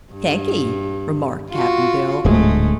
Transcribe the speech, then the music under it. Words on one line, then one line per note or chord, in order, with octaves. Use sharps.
"Thank'e," remarked Cap'n Bill.
G2
F4 F#4
D1 D2 G#2 G#3 A3